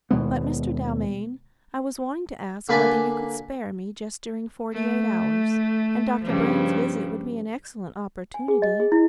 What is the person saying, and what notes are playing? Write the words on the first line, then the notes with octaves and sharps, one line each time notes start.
But, Mr. Dalmain, I was wanting to ask whether you could spare me just during forty-eight hours; and Dr. Brand's visit would be an excellent opportunity.
D#2 B2 G#3 B3
D3 A#3 B4 D5 G#5 B5
A3
G2 C#3 F3
G#5
G#4
D#5
G#4
E4